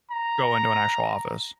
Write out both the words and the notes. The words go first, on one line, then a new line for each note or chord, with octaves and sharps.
go into an actual office?
A#5